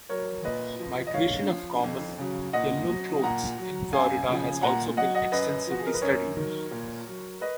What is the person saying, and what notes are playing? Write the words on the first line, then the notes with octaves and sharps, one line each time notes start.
Migration of common yellowthroats in Florida has also been extensively studied.
F#3 A#4 C#5
A#2 B4 D#5
F3
D#5
G#2 C#5 F5
F3
F2
C#3 F#3
A#2 D#5 F#5
F#3
A#2 F#5 A#5
F#3
F#2 F5 G#5
C#3 F3
A#2 F#5 A#5
F#3 D#5 F#5
D#5 F#5
F#2 B4 D#5
F3 F#4
G#4
A#4
B4
F#2 A#4 C#5
D#3 F#3
A#2
F#3
B4 D#5